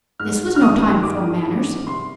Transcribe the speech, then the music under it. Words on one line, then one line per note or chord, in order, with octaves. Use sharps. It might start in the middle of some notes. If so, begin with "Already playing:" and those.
This was no time for manners.
G#2 F6
F6
D#3 G3 D#6
G#2 D6
D#3 G3
C3 C6